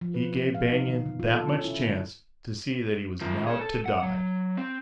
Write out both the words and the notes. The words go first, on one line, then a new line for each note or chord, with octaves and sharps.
He gave Banion that much chance to see that he was now to die.
F3
B4
C3
F5
D#4
D#3
B2
F4
A4
C#4
E4
D3
D#3 F4
G#4 C#5
A4
F#5
F#3
C4